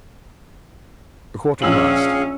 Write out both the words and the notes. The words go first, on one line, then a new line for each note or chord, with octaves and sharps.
A quarter past.
A#1 C#4 G#4 F5 E6 F#7